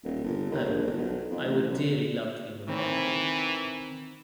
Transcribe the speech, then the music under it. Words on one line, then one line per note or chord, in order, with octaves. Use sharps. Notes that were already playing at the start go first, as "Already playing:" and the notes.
Oh, I would dearly love to be remarkable.
D#1
G1
D#2
A#1
G1
B1
F2
A1
F#2
D#3 E3 C4